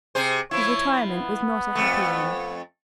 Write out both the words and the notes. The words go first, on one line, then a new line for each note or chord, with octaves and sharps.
His retirement was not a happy one.
C3 G#4 C5
F3 E4 C#5
B3
F2 A3